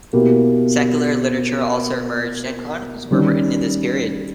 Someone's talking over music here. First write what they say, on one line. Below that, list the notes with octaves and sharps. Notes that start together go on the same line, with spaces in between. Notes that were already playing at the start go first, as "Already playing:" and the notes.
Secular literature also emerged and chronicles were written in this period.
B2 A#3 E4 G4 A#4
D#3 G3 C#4